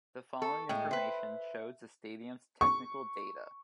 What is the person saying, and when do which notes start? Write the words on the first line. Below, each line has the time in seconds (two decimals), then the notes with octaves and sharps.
The following information shows the stadium's technical data.
0.42 A4 C#6
0.69 A2 G#3 G5
0.91 B4 C5 E5
2.61 C#6